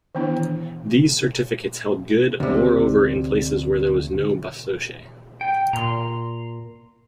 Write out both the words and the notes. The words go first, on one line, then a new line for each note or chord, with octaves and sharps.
These certificats held good, moreover, in places where there was no Basoche.
D#3 E3 B3 D4 E4
D2 C3
G5
A#2 A#5 C6